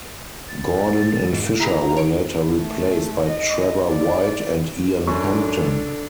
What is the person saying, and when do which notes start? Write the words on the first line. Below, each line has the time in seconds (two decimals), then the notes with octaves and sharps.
Gordon and Fisher were later replaced by Trevor White and Ian Hampton.
0.49 A6
1.33 G#2
1.60 E4 G#4 A#5
1.97 C#5 D7
2.57 A3
3.25 D#5
3.88 D5
5.07 F#2 D4 A4 C#6